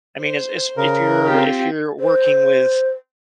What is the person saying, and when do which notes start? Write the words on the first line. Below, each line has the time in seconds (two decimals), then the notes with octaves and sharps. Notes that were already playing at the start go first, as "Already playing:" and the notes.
I mean, as as if you're if you're working with,
0.20 C5
0.77 C#3 A#4
1.24 C4 F4 G4
1.99 C5